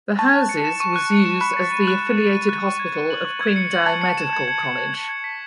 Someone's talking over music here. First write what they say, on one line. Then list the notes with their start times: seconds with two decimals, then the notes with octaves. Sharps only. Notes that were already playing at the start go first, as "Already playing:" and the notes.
The houses was used as the Affiliated Hospital of Qingdao Medical College.
0.19 A5 C#6
0.34 F#6
0.49 C#7
0.65 E7
0.80 C#6
0.96 F#6
1.11 C#7
1.25 E7
1.41 B5 F#6
1.57 A6
1.72 D#7
1.87 F#6
2.03 F#6
2.17 A6
2.33 D#7
2.49 F#6
2.64 C#6
2.79 G#6
2.94 C#7
3.10 F#7
3.25 C#6
3.41 G#6
3.56 C#7
3.72 F#7
3.86 A5 G#6
4.01 C#7
4.17 E7
4.33 G#6
4.48 G#6
4.63 C#7
4.79 E7
4.94 G#6
5.09 G#6
5.24 B6